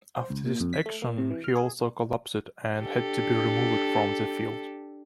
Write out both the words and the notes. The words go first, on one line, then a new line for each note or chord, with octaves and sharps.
After this action, he also collapsed and had to be removed from the field.
C5
C#2
A#2
F2
B6
A3
A#3
C3
E3
F6
G#4
D4 G4 A4